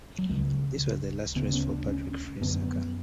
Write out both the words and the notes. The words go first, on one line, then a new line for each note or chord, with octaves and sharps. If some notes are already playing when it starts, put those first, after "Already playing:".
This was the last race for Patrick Friesacher.
F#3
C#2 C#3 G#3
D2 C#3 B3
C#4
D4
C#4
F#2 D3 B3